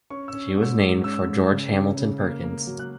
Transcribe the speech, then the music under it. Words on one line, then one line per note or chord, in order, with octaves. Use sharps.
She was named for George Hamilton Perkins.
C#4 C#6
E6
C#4
G#2
E6
G#2
C#4 E6
G#2
C#3
C#4
C#3
A#3
A#3
F#3
F#6